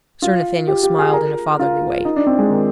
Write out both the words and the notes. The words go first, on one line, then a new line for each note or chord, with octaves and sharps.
Sir Nathaniel smiled in a fatherly way.
F4
G4
G4
G#4
A#4
F4
D#4
D4
C4
G#3
D#3